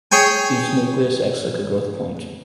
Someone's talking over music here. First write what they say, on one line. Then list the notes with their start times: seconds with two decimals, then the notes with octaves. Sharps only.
Each nucleus acts like a growth point.
0.12 G#4 C#5 G5 G#5